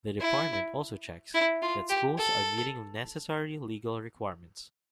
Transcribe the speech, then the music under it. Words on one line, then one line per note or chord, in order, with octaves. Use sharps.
The department also checks that schools are meeting necessary legal requirements.
E4
E4
F4
G4
A4